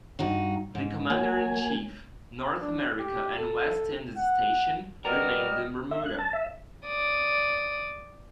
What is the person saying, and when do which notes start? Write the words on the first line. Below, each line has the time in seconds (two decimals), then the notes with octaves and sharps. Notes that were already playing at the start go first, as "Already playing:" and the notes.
The Commander-in-Chief, North America and West Indies Station, remained in Bermuda.
0.19 G2 D#4 F#4
0.75 G#2
1.10 F#3 A#3 G#5
2.59 D4
2.98 G4
3.37 A4
4.17 F#5
5.05 G3 F#4 A#4 B4 D#5 D#6 F6
5.91 E5
6.05 F#6
6.18 A5
6.33 E5
6.87 D5 D#6